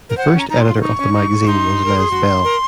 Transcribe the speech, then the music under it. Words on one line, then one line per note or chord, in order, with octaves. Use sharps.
The first editor of the magazine was Les Bell.
A#4
C5 F#5
C#4
A#5
D#4 A#5
C6
F4
F4
D#4 C#6
C#4
D#4
D#4 C6
A#4
G#4
F#4
A#4